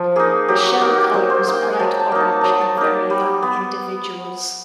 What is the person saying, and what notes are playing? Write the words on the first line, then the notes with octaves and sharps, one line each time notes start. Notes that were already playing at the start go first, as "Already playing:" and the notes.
The shell color is bright orange in very young individuals.
Already playing: F3
A#3 D#4 G#4
F#3 G4
F#4
A#3 D#4 F#4
G4
F#3 C5
C5
A#3 D#4
G5
G#5
F#3 A5
A5
A#3 D#4
A5
F#3 A5
A5
A#3 D#4
G3
B3